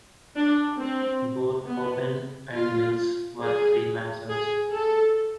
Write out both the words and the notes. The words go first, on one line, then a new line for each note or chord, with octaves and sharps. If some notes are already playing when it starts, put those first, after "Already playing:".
Both Hoban and Mills were Freemasons.
D4
C4
B3
F4
G#4
G#4
A4